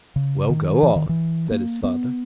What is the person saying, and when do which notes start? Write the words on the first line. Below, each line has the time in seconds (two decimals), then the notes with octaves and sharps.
"Well, go on," said his father.
0.16 C#3
0.49 D#3
0.83 E3
0.96 D#3
1.09 E3
1.51 A#3
1.84 B3